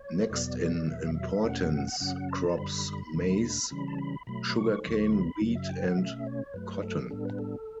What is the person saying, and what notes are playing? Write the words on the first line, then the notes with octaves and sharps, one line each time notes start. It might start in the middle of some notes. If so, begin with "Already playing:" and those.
Next in importance crops maize sugarcane wheat and cotton.
Already playing: C#5
E2 B2 F#3 B3 D5
D5
E2 B2 F#3 E5
E5
E2 B2 A3 C#4 F#5
F#2 C#3 F#3 C#4 F#5
A5
B5
A5
F#2 D3 G3 B5
E2 B2 A3 D4
C#3 E3 G3 C#4 B5
A5
B5
B2 F#3 A3 B5
C#6
D2 D3 F#3 C#6
B5
F#2 C#3 F#3
E5
G5
F#5
B2 A3 C#4 E5
C#5
G2 F#3 A3 B4
B4
A4
A2 G3 B3 D4 A4
B4
A4